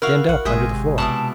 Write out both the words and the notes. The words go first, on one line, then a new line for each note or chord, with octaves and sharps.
"Denned up, under the floor!"
E4 F#4 A#4 F5
A#1 F#5
G#1 C3 G#3 G4 G#4 D#5 E5
B2 E4 D5 A5